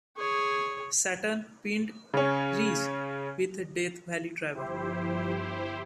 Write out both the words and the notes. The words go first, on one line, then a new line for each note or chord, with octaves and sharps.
Saturn pinned Reese with a Death Valley Driver.
G#4 C#5
C#3 C#4
G1 F3 E4 G4 C5